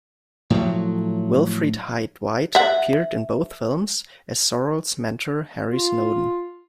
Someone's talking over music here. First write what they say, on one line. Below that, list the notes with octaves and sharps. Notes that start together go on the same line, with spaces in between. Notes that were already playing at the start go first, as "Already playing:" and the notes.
Wilfrid Hyde-White appeared in both films as Sorrell's mentor, Harry Snowden.
A2 F3 F#3
E5 F#5
F4